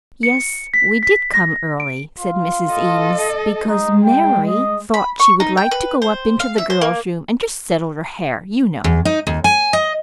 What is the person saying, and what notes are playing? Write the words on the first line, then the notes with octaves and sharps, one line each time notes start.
"Yes; we did come early," said Mrs. Eames, "because Mary thought she would like to go up into the girls' room and just settle her hair, you know."
C#7
B6
B6
A#6
D7
F4
A4 D#5
G#3 D#4
G5
D#5
B5
C#6
D#4
G5
B4
C5
F5
E5
C5
A#3
E2
D#4
D#2
G#5
D#5